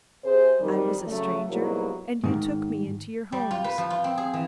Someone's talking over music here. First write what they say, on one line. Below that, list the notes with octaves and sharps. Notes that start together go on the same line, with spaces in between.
I was a stranger, and you took me into your homes.
C3 G#4 C5
F2 D#3 G3
C#3 F#3 A3
G#2 B2 F#3 G3 A#3 E4
G#2 D#3
G3
F4
B4
F3
F4
C4
G#4
E3